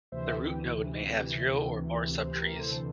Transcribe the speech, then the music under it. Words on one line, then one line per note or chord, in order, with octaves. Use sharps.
The root node may have zero or more subtrees.
D2 C3 E3 C5 E5
G4
C5
G4 A#4
A4 C5